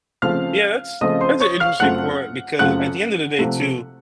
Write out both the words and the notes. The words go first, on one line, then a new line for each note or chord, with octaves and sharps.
Yeah, that's that's an interesting point because at the end of the day too,
C#3 F3 A3 C4 F4 F5 F6
C#3 F3 A3 C4 F4 D#5 D#6
C5 C6
C#5 C#6
F5 F6
F#2 C#3 A3 C4 F4 F#5 F#6
F#2 C#3 A3 C4 F4 F#5 F#6
C3 F3 A3